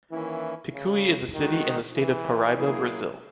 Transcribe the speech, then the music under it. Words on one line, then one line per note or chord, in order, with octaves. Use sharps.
Picui is a city in the state of Paraíba, Brazil.
D#3 E3 A#3 C#4 E4
C#3
D#3 G#3 D#4 F#4
E3
F#3 A#3 E4 G#4